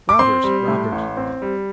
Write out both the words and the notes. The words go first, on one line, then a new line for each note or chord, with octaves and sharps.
Robbers! robbers!'
D6
C4 C6
G3
A2
A1
C4
G3